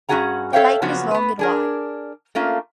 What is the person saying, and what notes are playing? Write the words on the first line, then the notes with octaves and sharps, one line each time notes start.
The lake is long and wide.
G2 C#4 F#4 G#4 F#5 A#5
A4 C#5 E5 F5 G5
C#3 F3 F#3 B3 D4 F#4
B3 B4
D4 G#4 A#4
A3 A#3 C#4 F4